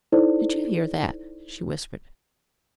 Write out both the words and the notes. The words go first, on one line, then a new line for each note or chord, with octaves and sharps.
"Did you hear that?" she whispered.
D#4 E4 A4 C5 D5